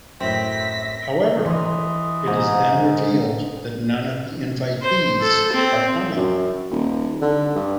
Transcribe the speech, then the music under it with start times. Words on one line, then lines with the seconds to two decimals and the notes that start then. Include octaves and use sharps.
However, it is then revealed that none of the invitees are coming.
0.20 F#2 A2 C4 E5 A#6 B6
1.46 E3 D#5 C6
2.27 G#2
4.82 C5
5.21 A4
5.53 C4
6.16 F#2
6.71 D#1
7.22 D3
7.55 G2